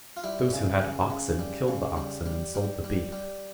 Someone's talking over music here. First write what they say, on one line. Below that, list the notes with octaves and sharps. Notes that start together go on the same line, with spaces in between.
Those who had oxen killed the oxen and sold the beef.
F4
G3 E4
C#3
C#3
C#3
G3
C#3
G3
G3
G3
G3
G3